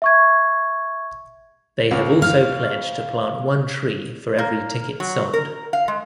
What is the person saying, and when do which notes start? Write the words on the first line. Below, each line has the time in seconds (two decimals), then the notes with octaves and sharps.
They have also pledged to plant one tree for every ticket sold.
0.02 E5 C#6 G#6
1.91 C#2
2.22 F5
4.39 A#3
5.00 F#3
5.33 A#4
5.73 F5
5.88 G#3